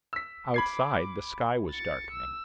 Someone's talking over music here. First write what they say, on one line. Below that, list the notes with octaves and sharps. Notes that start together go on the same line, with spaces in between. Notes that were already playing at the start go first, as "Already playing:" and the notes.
Outside the sky was darkening.
E6 B6
B5 D6 G#6 C7
A6 C#7
E6